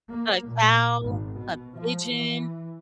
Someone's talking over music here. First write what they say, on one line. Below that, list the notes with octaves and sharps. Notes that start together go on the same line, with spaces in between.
a cow, a pigeon,
A#3
A#2
G#1
B2
F3
E3